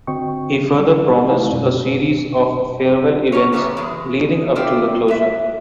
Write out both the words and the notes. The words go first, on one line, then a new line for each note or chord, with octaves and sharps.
He further promised a series of farewell events leading up to the closure.
D3 C4 F#4 D#5 G5 C#6
D3 D#3 F#3 G3
D#4
G#3 A3 D#4 E4 D5 F5
F#2 B2 F#3 D#4
C#4 A#4 C#5
F#2 A#2 C#3 G3 B3
E2 G#3
A3 C4 F4 G4 D5
G#3 E5